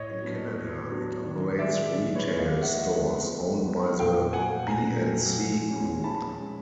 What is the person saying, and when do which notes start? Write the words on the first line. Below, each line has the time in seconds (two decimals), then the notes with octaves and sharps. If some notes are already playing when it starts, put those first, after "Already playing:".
In Canada, it operates retail stores owned by the B and C Group.
Already playing: A2 C#5 D#5
0.22 F#3 B3 D4
0.56 A2
0.90 F#3 B3 D4
1.24 D#3
1.59 G#3 B3 D5 E5
1.93 D#3
2.16 B4 C#5
2.28 G#3 B3
2.39 D#5 F5
2.62 F3 E5 F#5
2.96 G#3 B3 D#4
3.30 F3
3.65 G#3 B3 D#4
3.99 A#2 F5 G5
4.33 F#3 A3 F#5 G#5
4.67 A#2 G#5 A#5
5.01 F#3 A3
5.36 F3
5.70 G#3 C#4
6.04 F3 A5 B5
6.39 G#3 C#4